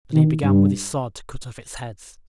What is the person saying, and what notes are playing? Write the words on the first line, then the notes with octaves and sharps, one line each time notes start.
Then he began with his sword to cut off its heads.
D#3
G2